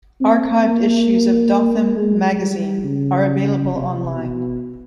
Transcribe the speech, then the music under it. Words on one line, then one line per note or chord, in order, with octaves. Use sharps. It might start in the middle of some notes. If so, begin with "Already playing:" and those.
Archived issues of "Dothan Magazine" are available online.
C4
A#3
G#3
G3
C#3
C3
B2